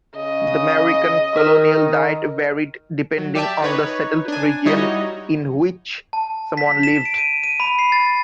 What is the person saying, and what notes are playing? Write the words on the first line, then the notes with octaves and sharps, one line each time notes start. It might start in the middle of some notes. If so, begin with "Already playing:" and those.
The American colonial diet varied depending on the settled region in which someone lived.
C#3 D#5
D#3 A#4 F6
F#3
G4 D5 E5 G5 A5
D#4 B4 C#5
D4 G#5
G3 D#4 E4 F#4 C#5 D#5
A5
B6
E7
D7
D#7
D#7
B5
C7
A6